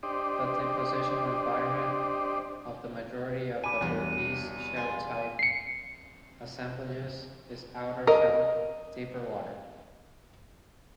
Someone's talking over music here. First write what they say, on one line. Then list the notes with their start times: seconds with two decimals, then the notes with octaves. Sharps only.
The depositional environment of the majority of Burgess-Shale-type assemblages is outer shelf, deeper water.
0.03 D4 G4 C5 D5 D#5
3.64 G#5 B5 D6 D#7
3.81 E2 G2 B2 F#3
4.76 F4 G#4 D5
5.39 C7 C#7
8.07 A#4 D#5